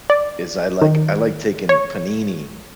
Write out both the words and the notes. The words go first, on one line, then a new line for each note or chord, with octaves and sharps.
is I like I like taking panini,
D5
D#3
C#5